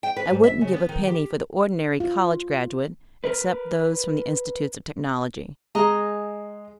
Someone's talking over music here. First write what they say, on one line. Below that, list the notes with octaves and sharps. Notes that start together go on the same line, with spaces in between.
I wouldn't give a penny for the ordinary college graduate, except those from the institutes of technology.
G5
B4
G#2
E5
C#3
B3
D#3
G4
F4
A#4 B4
G#3 D#5 G#5 A#5